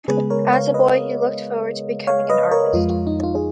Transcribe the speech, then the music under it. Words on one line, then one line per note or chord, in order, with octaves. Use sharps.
As a boy he looked forward to becoming an Artist.
C#3 G#3 B3 G#4 B4
A#4 C#5
C#5 F5
B4 D#5
C#5 F5
B4 D#5
A#4 C#5
F2 F3 G#3 F4
F4
D#4
F4
G#4